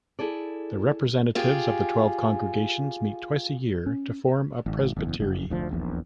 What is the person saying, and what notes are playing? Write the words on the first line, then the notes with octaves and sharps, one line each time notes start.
The representatives of the twelve congregations meet twice a year to form a presbytery.
E4 G#4 A4 D5
F4 G4 G#4
C#4
G#1
F#1 E2
F#1
F1 D2 F3
D#1 A#1 E2